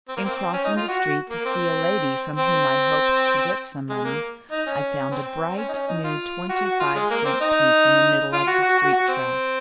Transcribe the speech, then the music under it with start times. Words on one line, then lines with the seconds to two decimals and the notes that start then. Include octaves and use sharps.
In crossing the street to see a lady from whom I hoped to get some money, I found a bright new twenty-five-cent piece in the middle of the street track.
0.08 C4
0.17 A#3
0.25 C4
0.54 C#4
0.64 D#4
0.76 F4
0.88 F#4
0.99 F#4
1.29 A#3
1.45 C4
2.36 C4
3.89 G#3
4.05 A#3
4.51 D#4
4.66 C#4
5.11 C4
5.57 C#4
5.68 D#4
5.73 C#4
5.88 D#4
6.03 F4
6.49 F#4
6.65 F#4
6.80 F4
6.95 G#3
7.10 A#3
7.25 C4
7.40 D#4
8.32 F4
8.47 F#4
8.62 F#4
8.78 F#4
8.93 F#4
9.08 C4